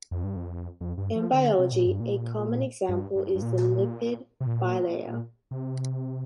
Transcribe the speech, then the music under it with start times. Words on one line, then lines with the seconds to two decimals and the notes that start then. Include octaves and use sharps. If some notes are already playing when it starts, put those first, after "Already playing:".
In biology a common example is the Lipid bilayer.
0.11 F2
0.24 G2
0.36 F2
0.81 F2
0.98 G2
1.16 F3
1.33 D3
1.59 C3
1.72 A#2
1.87 G2
2.00 A#2
2.89 G2
3.16 G2
3.35 G2
3.42 A#2
4.40 C3
4.47 A#2
5.51 C3